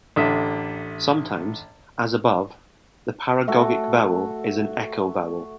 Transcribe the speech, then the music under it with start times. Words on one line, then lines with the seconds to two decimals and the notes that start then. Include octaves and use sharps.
Sometimes, as above, the paragogic vowel is an echo vowel.
0.16 A1 D3 E5
3.47 A3 F#4 A4